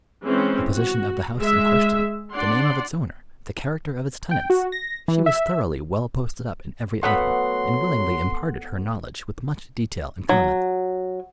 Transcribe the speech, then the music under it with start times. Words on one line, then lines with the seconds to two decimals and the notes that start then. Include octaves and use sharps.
The position of the house in question; the name of its owner; the character of its tenants; she was thoroughly well posted up in every item, and willingly imparted her knowledge with much detail and comment.
0.24 E3 G#3 C4 C#4
0.75 F#4
1.37 G#3 E5
2.33 D4 D5 F#5 C6
4.31 G5
4.50 F#4
4.72 A#6
5.08 E3
5.26 E5
7.03 F#3 A3 B3 F#5 B5 C6
10.29 F#3